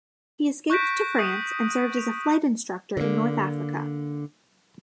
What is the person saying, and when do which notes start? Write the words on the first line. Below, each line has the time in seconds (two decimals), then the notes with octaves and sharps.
He escaped to France and served as a flight instructor in North Africa.
0.70 C#6 F#6 G6 A#6 B6 D7
1.18 C#6 D#6 D#7
1.97 F7
2.97 D3 A#3